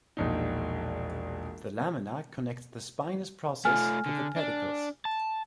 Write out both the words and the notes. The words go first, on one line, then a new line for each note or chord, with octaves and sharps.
The lamina connects the spinous process to the pedicles.
E1 A#1 D#4
A3 F4 G#5 F6
D3
D4
A5